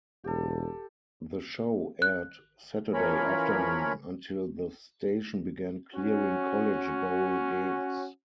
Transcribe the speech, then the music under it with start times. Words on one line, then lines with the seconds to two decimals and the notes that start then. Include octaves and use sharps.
The show aired Saturday afternoon until the station began clearing college bowl games.
0.24 E1 G4 A4
2.02 F#6
2.94 E3 F3 C#4 A#4 C#5 B5
5.95 C#4 F#4